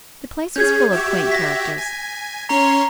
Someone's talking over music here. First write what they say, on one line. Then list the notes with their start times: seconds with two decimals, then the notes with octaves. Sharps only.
The place was full of quaint characters.
0.56 C#4 G#4 G6 G#6
0.92 F#4 G4 E5
1.31 A#6 B6
1.78 G#5
2.49 C#4 C#5 A#5 C6